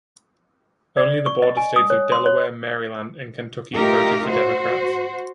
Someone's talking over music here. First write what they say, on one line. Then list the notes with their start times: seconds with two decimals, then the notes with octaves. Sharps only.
Only the border states of Delaware, Maryland, and Kentucky voted for Democrats.
0.97 D5
1.26 C#6
1.42 D#5
1.57 G#5
1.76 D#6
1.90 C#5
2.12 C6
2.26 C#5
3.74 A3 D#4 F4 G4 A#4
4.28 F#4 C5